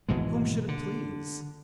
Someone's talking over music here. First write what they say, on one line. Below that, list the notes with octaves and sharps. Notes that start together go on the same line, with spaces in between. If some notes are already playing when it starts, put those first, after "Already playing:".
Whom should it please?
G#1 B2 E3 G#3
D3